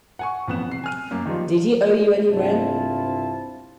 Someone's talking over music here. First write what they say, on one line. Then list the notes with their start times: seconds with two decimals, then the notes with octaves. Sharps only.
Did he owe you any rent?
0.19 F#5 G#5 C#6
0.47 A1 F2 B3 F#6 E7
0.68 C3 C7
0.84 G#5 F6 D#7
1.11 F#2 A#3
1.26 D#3 F3 G3 F4
2.31 C2 G2 C4 E4 F4 A5